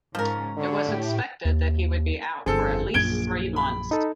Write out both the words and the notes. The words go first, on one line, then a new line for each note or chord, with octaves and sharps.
It was expected that he would be out for at least three months.
G#2 C#3 F3 C#4 A#4
D3 C#4 D4 C#5
A2 G4
D#2
G1 F2 C4 G#4 A4
A#1 F#2 G#6 D7 G7
B5
D#4 A4